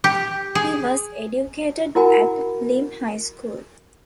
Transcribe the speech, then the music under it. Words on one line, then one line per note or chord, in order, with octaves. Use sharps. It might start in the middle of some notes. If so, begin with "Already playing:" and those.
He was educated at Lymm High School.
G4
G#4
E4 F#4 A#4 F#5 G#5 B5